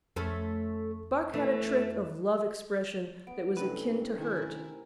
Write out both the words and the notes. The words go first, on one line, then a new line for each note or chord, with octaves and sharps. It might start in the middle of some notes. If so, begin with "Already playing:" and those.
Buck had a trick of love expression that was akin to hurt.
F2 A3 C#4 A4
E3 A3
B3 D7
A2 C3 C#4 D4 B4
D#3 E4 A#4 G#5